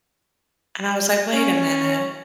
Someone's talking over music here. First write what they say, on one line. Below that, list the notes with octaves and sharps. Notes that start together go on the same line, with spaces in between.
And I was like, "Wait a minute"
C#4